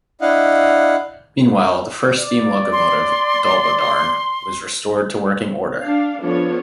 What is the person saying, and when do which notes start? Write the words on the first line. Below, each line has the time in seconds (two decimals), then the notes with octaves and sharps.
Meanwhile, the first steam locomotive, "Dolbadarn", was restored to working order.
0.21 D4 E4 D#5 F5 F#5
2.18 D5
2.72 C6
5.80 D4 F5
6.20 F3 B3 D4 F4 A4 C#5